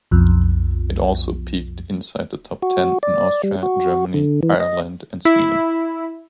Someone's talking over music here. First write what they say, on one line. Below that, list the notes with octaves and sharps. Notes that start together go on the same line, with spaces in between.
It also peaked inside the top ten in Austria, Germany, Ireland, and Sweden.
B1 F2
F#4
D5
G3
F#4
D3
E3
D#5
E4